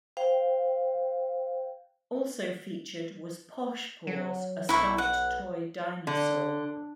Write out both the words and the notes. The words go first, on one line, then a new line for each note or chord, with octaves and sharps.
Also featured was Posh Paws, a stuffed toy dinosaur.
C5 F5 G5
F#3
B1 E4 C#6
F#5
D3